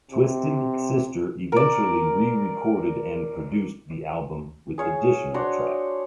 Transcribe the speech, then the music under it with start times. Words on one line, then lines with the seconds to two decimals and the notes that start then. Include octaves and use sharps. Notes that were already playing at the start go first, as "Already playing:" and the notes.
Twisted Sister eventually re-recorded and produced the album with additional tracks.
0.11 C3
1.52 A#4 D5
4.78 G#4 C#5 F5
5.34 D4 F#4 C5 C#5